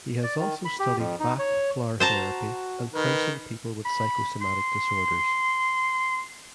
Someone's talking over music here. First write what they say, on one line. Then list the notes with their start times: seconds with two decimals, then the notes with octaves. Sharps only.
He has also studied Bach Flower therapy and counseled people with psychosomatic disorders.
0.23 D5
0.39 D#3
0.65 B5
0.79 G4
0.98 F2
1.20 D#4
1.39 C#5
2.00 F#4 C5 A5 A#5
2.94 D#3 B4
3.85 B5
4.41 C6